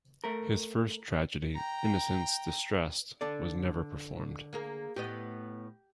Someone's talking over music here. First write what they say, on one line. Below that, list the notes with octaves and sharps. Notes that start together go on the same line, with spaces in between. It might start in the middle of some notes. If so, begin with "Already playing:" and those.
His first tragedy, "Innocence Distress'd," was never performed.
A3 A#4
G5 A#5
D3 A4 D5
A#3 G#4 A#4
A2 B3 G4 D#5